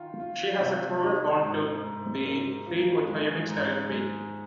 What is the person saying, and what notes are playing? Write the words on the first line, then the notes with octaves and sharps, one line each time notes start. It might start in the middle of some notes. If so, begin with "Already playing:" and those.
She has exploded onto the scene with her unique style of painting.
Already playing: D#3 F4
F4
C3
D#4
G#2
G#2
A#4
F3
G#3
G#2
G#3